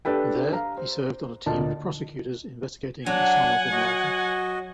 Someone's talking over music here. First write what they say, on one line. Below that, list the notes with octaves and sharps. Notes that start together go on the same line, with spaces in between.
There, he served on a team of prosecutors investigating Osama bin Laden.
D4 G4 A4 B4 G5
F5 A#5
C5
D2 A#2 D#5 A5
F#3 D4 F#5 G#5
F#4 D#5